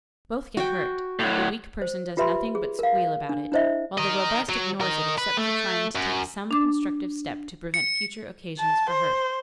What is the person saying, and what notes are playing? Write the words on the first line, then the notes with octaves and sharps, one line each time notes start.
Both get hurt, but the weak person does nothing but squeal about it, while the robust ignores it except for trying to take some constructive step to prevent future occasions for hurt.
F#4 G5
A2 F#3
C5
F4 G4 B4 E5 B5 C6
G#4
A#4 F5
D4
D4 E4 C5 D#5 E5
A#4 D#5
F#3
A#4 D#5
B4
A3
F#2
D4 D6
C#7
A5
C5